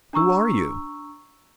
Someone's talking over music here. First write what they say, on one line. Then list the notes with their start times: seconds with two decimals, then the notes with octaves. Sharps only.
"Who are you?"
0.13 D4 A#5 C#6 E6